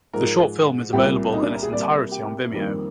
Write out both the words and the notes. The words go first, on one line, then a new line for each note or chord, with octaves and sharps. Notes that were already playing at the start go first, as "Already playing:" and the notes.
The short film is available in its entirety on Vimeo.
G#2 F3 G#3 A#4
C2 A#2 G3 A#3 G4
D#4
D4
A#4
G#4
C2 C3 G3 A#3 D5
G4
F2 D#3 G3 A#3